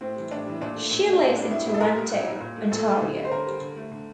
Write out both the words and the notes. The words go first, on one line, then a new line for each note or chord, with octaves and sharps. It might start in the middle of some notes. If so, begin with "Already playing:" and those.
She lives in Toronto, Ontario.
A2 C4
E3 G3
A2 D4
E3 G3
A#2 D4
A3
A#2
A3
D4
A2 C4
G3 D4
A2 E4
G3 E4
A4
A#2 A#4
G3
A#2
G3
A#2
A3
A#2 A4
A3
D3
G3
C5
D3 A#4
G3
D3
A3
D3